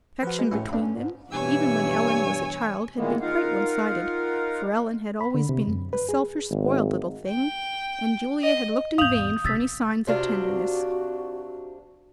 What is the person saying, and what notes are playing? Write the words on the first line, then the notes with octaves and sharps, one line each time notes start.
Affection between them even when Ellen was a child had been quite one-sided; for Ellen had always been a selfish, spoiled little thing, and Julia had looked in vain for any signs of tenderness.
F3 F#4 B4
G#3
A2 A3 C#4 E4
G2 D4 B5
C#4
G#2
G2 B2 E3 C#5 G#5 E6
A#2 D#3 E3 G#3 A#3 B3
D#4 F4 A#4 F5 F#5
B5
D3
C3
F#2
B4
G#4
G#1
G5
D#5
G#1 E2 F5 D#6 G6 F7 F#7
C3 G3 E6 A6 B6
C3 D4 F4 F#4